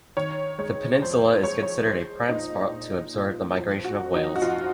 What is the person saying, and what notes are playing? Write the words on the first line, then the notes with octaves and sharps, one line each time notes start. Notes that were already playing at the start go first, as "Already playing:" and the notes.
The peninsula is considered a prime spot to observe the migration of whales.
D#3 C#5
G#3 C#5
F2 C5
G#3 C#5
C#5
G#3 C5
A#2 D#4
A#2
A#2
F2
F#4
F#3
D#4
F#4
F2 F4